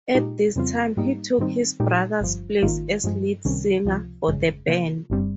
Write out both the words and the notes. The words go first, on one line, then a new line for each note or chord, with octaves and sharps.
At this time, he took his brother's place as lead singer for the band.
A#2 G#3 D#4 G4
F2 C#3 G3 C4 F4
G#2 G3 A#3 D#4
G#2 D#3 G3 C4 D#4
A#2 G#3 D#4 G4
G1 G2 F3
G#1 G#2 D#3 A#3 F4
G2 F3 G#3
C#2 C3 D#3 G3 C#4
C#2 C3 F3
G1 F2 C#3 G#3
C3 F3 A#3 F4
G1 G2 G3 C4